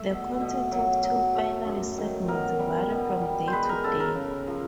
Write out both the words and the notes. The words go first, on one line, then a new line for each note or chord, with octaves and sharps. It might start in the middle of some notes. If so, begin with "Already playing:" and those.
The content of two final segments vary from day to day.
Already playing: A3 E5
B2
B2
F#3
F#3
A3
F#2
D#3
B2 A#4
G3
B2
G3
C5
G#3 B4
A#4
C#3 A4
A#4
C#3
F3